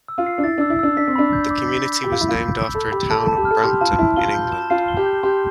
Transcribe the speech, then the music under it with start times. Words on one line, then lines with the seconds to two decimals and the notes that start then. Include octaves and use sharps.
The community was named after the town of Brampton, in England.
0.08 E6
0.18 F4
0.26 C7
0.38 D4
0.44 E4 A6
0.58 D4 E6
0.70 E4
0.79 D4 E6
0.97 D4 B6
1.07 C4
1.16 D4 B5
1.33 G6
1.51 D6
1.68 B6
1.86 B5
2.04 G4 B5
2.12 F4
2.21 E4 B5
2.28 F4
2.39 G6
2.57 E6
2.75 A4 B5
2.92 G4 B5
3.10 A4 A5
3.23 A4 A5
3.37 G4
3.45 F6
3.51 A4
3.63 G4 C6
3.81 F4 A5
3.98 E4 A5
4.16 F4 G7
4.35 G6
4.52 E7
4.70 F4 C7
4.88 G7
4.97 G4
5.06 G6
5.23 G4 C6